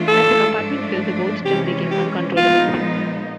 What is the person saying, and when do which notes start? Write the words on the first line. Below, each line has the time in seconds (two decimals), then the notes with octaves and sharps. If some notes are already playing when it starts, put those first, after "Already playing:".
As the compartment filled, the boat's trim became uncontrollable.
Already playing: E3 A3 D4 F4
0.08 A4
0.54 G#2 F3 A3 D4
1.45 C3 E3 G#3 C#4 G4
1.91 G4
2.37 A#2 F3 G#3 B3 D#4 F4